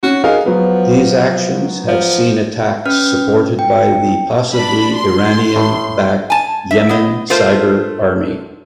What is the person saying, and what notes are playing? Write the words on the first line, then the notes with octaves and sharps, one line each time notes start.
These actions have seen attacks supported by the possibly Iranian backed Yemen Cyber Army.
C#4 F#4
G#4 A#4 D#5 F5
F3 F#3 B3
F3
C#4 B4 F6
G5
D4 B5
C6
A2
G#5 A5
E5
B3 D#5
A3 F4 A#4 C5